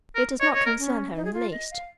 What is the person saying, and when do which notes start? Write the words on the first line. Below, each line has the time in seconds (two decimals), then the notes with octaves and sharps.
It does not concern her in the least.
0.15 A#4
0.40 C#5 D#5
0.54 C#5
0.66 A#4
0.78 C#4
1.16 D#4
1.25 G#4
1.34 F4
1.52 D#5
1.71 F5